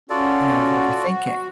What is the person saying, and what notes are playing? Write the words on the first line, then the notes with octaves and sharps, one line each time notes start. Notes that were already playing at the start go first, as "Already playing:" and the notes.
you know, of overthinking
C#4 F4 F#4 A4 D5